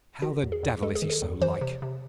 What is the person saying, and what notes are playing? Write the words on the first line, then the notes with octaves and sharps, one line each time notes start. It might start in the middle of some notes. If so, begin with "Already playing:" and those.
How the devil is he so like?
D#3 F#4
E2
G#4
E2
G#3 A4
G#4
D#3
A4
E2
E3 C5
C3
C3